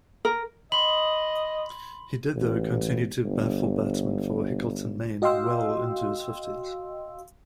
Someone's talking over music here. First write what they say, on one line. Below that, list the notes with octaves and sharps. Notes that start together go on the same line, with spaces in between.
He did, though, continue to baffle batsmen for Hickleton Main well into his fifties.
A#4
D#5 B5 C6 F#7
A1
G1
F#4 D#5 F5 G5 C6 E6